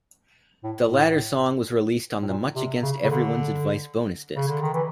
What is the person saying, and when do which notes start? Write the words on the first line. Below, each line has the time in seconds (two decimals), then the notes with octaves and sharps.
The latter song was released on the "Much Against Everyone's Advice" bonus disc.
0.64 A2
0.79 A2
2.22 A2
2.27 A#2
2.56 C3
2.82 C#3
3.04 C#3
3.10 D3
4.36 C#3
4.48 D3
4.62 D#3
4.74 E3